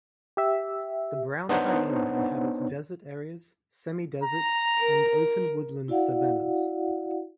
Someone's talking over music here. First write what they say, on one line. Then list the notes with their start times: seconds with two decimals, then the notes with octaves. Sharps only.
The brown hyena inhabits desert areas, semi-desert, and open woodland savannahs.
0.37 G4 E5
1.49 B3 D4 D#4 C5 C#5 F#5
4.24 A#5
4.79 A#4
5.88 E4 F#4 D5 F5 F#5